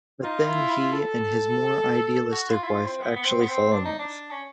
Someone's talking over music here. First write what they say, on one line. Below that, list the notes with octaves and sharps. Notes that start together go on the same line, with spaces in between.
But then he and his more idealistic wife actually fall in love.
D#4 F4
E4
E4
A4
F#4
F4
E4
F4
C4
B3
B3
C4
B3
C4
D4
D#4
D4
C#4